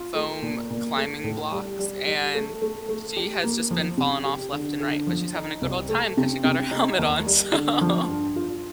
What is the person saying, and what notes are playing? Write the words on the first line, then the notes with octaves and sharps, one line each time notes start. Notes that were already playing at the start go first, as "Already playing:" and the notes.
foam climbing blocks and she has just been falling off left and right, but she's having a good old time ‘cause she got her helmet on, so
Already playing: F4
A3
A#2
A#2
A3
A2
G3
G3
G3
A3
A3
A3
G4
A#3
F3
C3
G4
D3
D3
F3
D#4
C2
A3
C3
C3
D#4
D#2
G3
D3
F3
G2
F4